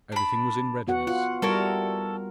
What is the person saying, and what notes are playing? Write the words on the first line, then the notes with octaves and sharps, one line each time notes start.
Everything was in readiness.
D4 B5
B3 F#4 F#5
F4 F#5
G3 E4 F#4 A4 A#4